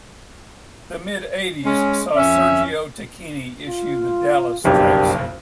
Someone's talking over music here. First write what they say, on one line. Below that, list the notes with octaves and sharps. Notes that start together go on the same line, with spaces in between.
The mid-eighties saw Sergio Tacchini issue the "Dallas" tracksuit.
G#3 C#4
F2 C#4 E5
F4
F#1 B1 F2 A#3 D4 G4